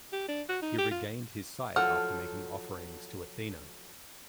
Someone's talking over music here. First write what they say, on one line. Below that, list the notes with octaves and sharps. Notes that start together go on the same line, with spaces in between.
He regained his sight after making offerings to Athena.
G4
D4
F#4
D#4
G4
F4
F3 F#3 A4 F#5 F6